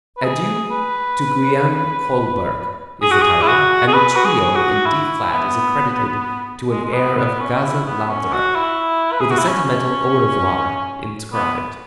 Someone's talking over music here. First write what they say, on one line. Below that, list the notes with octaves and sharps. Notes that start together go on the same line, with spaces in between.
Adieu to Guillaume Kolberg, is the title, and the Trio in D flat is accredited to an air of "Gazza Ladra," with a sentimental Au Revoir inscribed.
B4
G#4
B4
G#4
F#4
G#4
E4
F#4
G#4
B4
F#4
G#4
F#4
E4
B3
G#3
G#3
B3
B3
C#4
E4
B3
C#4
F#4
E4
B4
G#4
F#4
E4
C#4
B3